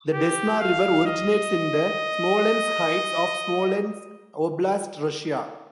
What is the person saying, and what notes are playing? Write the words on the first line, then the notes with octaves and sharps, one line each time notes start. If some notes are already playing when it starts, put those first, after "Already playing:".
The Desna River originates in the Smolensk Heights of Smolensk Oblast, Russia.
G4
F5
D#5